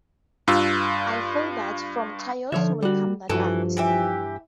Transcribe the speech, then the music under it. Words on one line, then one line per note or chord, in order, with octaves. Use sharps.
I feel that from Taos will come that art.
G2 F4 E6
D3 F3 C#5 E5
G3 F#4
G2 E3 F3 F#4 A4
E3 G4 E5